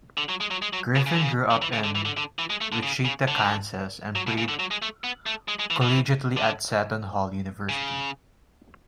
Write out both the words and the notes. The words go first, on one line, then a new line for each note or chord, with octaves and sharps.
Griffin grew up in Wichita, Kansas and played collegiately at Seton Hall University.
D3
F#3
G#3
F#3
G#3
F#3
B2
C#3
D3
C#3
D3
E3
C#3
D3
E3
D3
D3
E3
G#3
A3
D3
C#3
C#3
D3
F#3
B2
C#3
D3
F#3
G#3
A3
B3
A3
G#3
G#3
E3
E3
D3
C#3